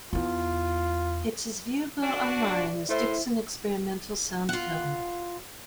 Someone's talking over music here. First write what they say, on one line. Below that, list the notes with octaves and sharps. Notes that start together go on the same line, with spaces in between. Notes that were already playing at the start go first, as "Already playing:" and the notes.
It is viewable online as "Dickson Experimental Sound Film".
E2 E4 F4
D4 F#4
D5
A2 A3 E4 C5 E5 C6
F4 F#5